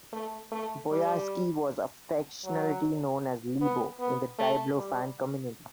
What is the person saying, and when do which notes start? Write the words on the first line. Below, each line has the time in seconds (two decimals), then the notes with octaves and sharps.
Boyarsky was affectionately known as 'LeBo' in the Diablo fan community.
0.13 A3
0.52 A3
0.91 G3
2.45 F#3
3.61 B3
4.00 B3
4.38 A3
4.77 G3